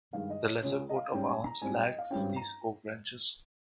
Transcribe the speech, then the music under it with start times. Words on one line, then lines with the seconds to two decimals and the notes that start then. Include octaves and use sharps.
The lesser coat of arms lacks these oak branches.
0.13 G2 D#3 G#3 F5
0.30 D#5
0.47 C#5
0.63 C#2 C#3 G#3 C#4 C#5
0.89 D#5
0.96 F5
1.12 G#2 G3 C#4 G5
1.28 G#5
1.46 A#5
1.61 G#2 G3 C4 G#5
1.74 G5
1.86 D#5
1.98 F5
2.10 G#1 G2 G3 C#4 G5
2.36 A#5